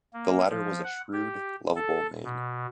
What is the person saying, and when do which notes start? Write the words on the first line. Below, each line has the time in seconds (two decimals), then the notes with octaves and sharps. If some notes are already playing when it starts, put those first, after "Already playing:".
The latter was a shrewd, lovable man.
0.13 A#3
0.50 F3
0.84 F#5
1.13 G4
1.76 A4
2.24 B2